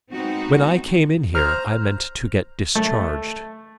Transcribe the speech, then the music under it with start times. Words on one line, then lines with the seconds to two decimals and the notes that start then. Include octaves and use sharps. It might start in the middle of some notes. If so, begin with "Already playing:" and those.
When I came in here I meant to get discharged.
0.12 G#3 B3 C4 D#4 F#4
1.35 C5 A#5 F6
2.75 A3